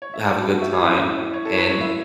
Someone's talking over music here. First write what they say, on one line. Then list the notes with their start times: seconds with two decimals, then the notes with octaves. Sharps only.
have a good time, and
0.02 C#5
0.14 E5
0.26 F#5
0.37 F#4 A5
0.47 A4
0.50 F#4 F#5
0.62 E5
0.70 F#4 C#5
0.81 E4 E5
0.93 C#4
1.06 E4
1.33 C#5
1.45 A4
1.52 C#5
1.58 B4
1.69 C#5
1.81 E4 E5